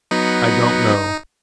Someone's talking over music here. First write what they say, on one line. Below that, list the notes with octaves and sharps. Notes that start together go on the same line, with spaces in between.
I don't know.
F#3 B3 D#4